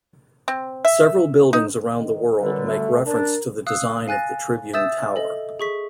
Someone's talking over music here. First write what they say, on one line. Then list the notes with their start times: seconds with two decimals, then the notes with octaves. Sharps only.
Several buildings around the world make reference to the design of the Tribune tower.
0.48 C4
0.85 E5
1.53 D#4
1.95 D#3
2.39 F#2 D3 G3 B4
2.67 A3
3.06 D4 A#4
3.67 F5 D#6 E6 F#6
4.08 F5 G#5 F#6 A6 A#6
4.73 E5 D#6 E6 G6 A6 E7
5.16 A4 D#5
5.60 G#4 C#6 B6